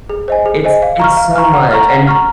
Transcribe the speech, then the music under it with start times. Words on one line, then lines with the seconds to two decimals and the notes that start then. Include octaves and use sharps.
It's it's so much, and,
0.10 G#4
0.28 C5 D#5 G#5
0.46 G#4
0.64 C5 D#5 G#5
0.82 F5
1.00 A#5 C#6 F6
1.17 F5
1.36 A#5 C#6 F6
1.54 F#5
1.71 A#5 C#6 F6
1.90 F#5
2.07 A#5 C#6 F6